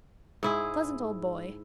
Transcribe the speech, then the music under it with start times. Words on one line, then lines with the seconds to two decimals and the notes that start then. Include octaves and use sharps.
Pleasant old boy.
0.43 G#2 E4 G#4